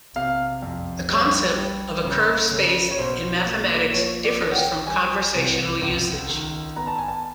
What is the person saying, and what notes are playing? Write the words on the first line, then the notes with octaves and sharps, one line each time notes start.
The concept of a curved space in mathematics differs from conversational usage.
C3 F5
F2
G3 C#5
G3
C#3
C#3
C#5
B2 C5
A#3
F3 C#5
D5
C#4
F#5
G5
G3 G#5
C2
C#2
D#3
B3 A#5
A5
G#5
A5